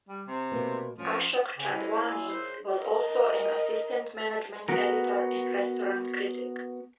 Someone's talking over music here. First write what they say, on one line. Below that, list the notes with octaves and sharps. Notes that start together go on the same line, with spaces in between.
Ashok Chandwani was also an assistant management editor and restaurant critic.
G3
C3
B2 A#3 B4
F3 C#4
C#3 G#3 C4 C#4 F5 G5 G#5 D6
E4 C#5 D#5
A#3 F4 D#5 G#5 E6
A#2 D#4 G#4 C5 C#5
A#4 D#5
B3 F#4 A#4